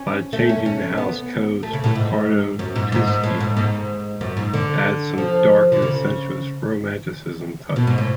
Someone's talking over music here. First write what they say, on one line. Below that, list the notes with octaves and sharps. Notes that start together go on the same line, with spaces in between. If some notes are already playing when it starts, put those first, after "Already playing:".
By changing the house codes, Riccardo Tisci adds some dark and sensual romanticism touch.
Already playing: C#4
A3
C#4
C#4
B3
A3
C#3
A2
G#2
F#2
G#2
G#2
G#2
A2
G#2
G#2
F#2
G#2
D3
F3
D3
C#3
B2
G#2
A2